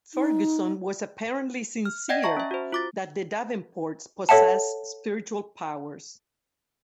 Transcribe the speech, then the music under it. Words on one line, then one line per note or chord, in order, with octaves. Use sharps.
Ferguson was apparently sincere that the Davenports possessed spiritual powers.
D#4
F6
D5 D#5 F#5 G5 G#6 A#6
E5 A5 A#5 C#6 A#6
C#4 E5
F#4 C5
F4 D6 A6
A4 C#5 E5 F#5 A5